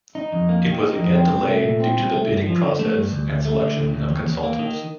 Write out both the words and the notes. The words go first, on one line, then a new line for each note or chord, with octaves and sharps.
It was again delayed due to the bidding process and selection of consultants.
D#4
F2
A#3
D#3
D#4
F2
C4
C2
A3
A#2
C4
C2
A3
G2
F3
D3
A3
G2
D2
D2
A3
D3
D2
D2
D#2
D#2
A#3
D#3